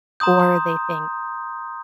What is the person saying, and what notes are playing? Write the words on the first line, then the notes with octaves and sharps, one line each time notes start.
Or they think,
A#5 C6 D#6 G6